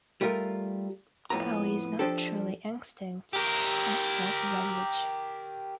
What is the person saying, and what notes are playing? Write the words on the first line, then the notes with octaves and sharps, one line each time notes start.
Kawi is not truly extinct as a spoken language.
G3 A3 F4 A#4
F2 A2 B3 A#5
F3 D4 G4 A4
G4 A#4